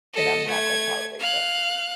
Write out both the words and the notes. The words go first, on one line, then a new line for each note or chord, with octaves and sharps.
and I'm not gonna tolerate that.
A4 D#5
A3 G#6
F5 F#6